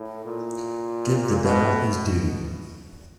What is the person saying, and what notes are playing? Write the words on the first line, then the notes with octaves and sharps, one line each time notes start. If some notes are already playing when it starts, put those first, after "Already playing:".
Give the devil his due.
Already playing: A2
A#2
B2